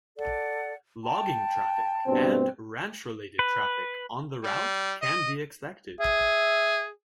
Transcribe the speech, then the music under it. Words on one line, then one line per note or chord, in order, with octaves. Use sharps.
Logging traffic and ranch-related traffic on the route can be expected.
A4 D5 F#5
G5 A5
G2 B2 C4
B4
G3
D#5
G#4 E5